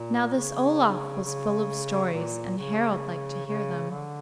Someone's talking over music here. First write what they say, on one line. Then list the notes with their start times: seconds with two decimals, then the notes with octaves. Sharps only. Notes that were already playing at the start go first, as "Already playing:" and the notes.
Now this Olaf was full of stories, and Harald liked to hear them.
Already playing: A#2
0.36 C#3
1.24 C#3
2.13 A#2
2.57 C#3
3.47 C#3
3.91 D3